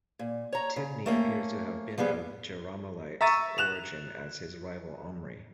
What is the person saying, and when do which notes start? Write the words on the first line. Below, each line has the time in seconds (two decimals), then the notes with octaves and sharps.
Tibni appears to have been of Jerahmeelite origin as his rival Omri.
0.19 A#2
0.53 C#5 A#5
0.76 C#3
1.06 A3 A#3 C#4
1.98 F3 G3 B3 G#4
3.21 E5 A#5 C#6 A6 D#7
3.58 F#6 E7 F7